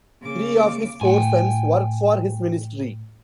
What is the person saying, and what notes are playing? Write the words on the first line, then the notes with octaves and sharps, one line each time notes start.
Three of his four sons work for his ministry.
C#3 A#3 D6
A2 G5 G#5